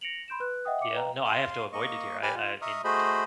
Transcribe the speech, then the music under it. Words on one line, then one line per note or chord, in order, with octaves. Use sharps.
Yeah, no, I have to avoid it here. I I mean, t
A#6 C#7 D7 F7 F#7
B5 C6 G6 D7 E7
B4 F#6
D#5 E5 F#5 G5 D#6
E5 D6 C#7
B4 D#5 F5 G5 A#5
F5 C6
A#3 D#5 C#6
G4 B4 G#5 B5 F6
F4
D#5 E5 A#5 C#6 D#6 F6
A3 F#4 G#4 C5 D#5 B5